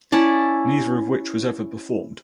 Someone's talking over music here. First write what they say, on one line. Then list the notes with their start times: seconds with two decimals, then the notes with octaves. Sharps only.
Neither of which was ever performed.
0.12 C#4 E4 D5 A5